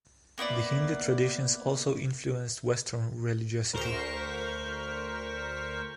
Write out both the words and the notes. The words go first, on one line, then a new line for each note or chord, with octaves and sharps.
The Hindu traditions also influenced western religiosity.
A#3 B3 E4 D5
D2 A#4 C5 C#6 B6